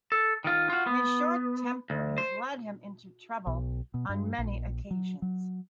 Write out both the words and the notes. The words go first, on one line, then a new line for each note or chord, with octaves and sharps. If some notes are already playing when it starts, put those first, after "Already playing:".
His short temper has led him into trouble on many occasions.
A4
D#3 F4
F4 F#4
B3
D2
C5
B1
B2
G2
A#1
F#3
F#3